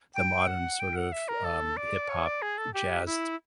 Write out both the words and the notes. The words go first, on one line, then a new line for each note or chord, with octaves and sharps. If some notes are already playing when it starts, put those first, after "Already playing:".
the modern sort of, um, hip hop jazz
G5
F#5
G5
F#5
E5
A#4
A4
D5
C#5
D5
G#4
A4
G4
E4